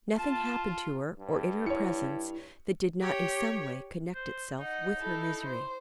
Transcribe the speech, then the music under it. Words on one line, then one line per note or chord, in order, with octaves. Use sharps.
Nothing happened to her, or in her presence, that did not in some way connect itself with her misery.
F4 A5
G2
E4 C#5 C#7
G4 C#5
C5
D#4 D#5 F#5
E4 A4
C5